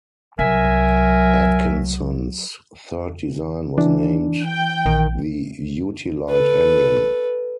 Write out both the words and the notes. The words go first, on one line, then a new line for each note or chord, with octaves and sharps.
Atkinson's third design was named the "Utilite Engine".
C2 F#3 A#4 E5 G#5
E3 D4
G5
A#1 D#3
A4 B4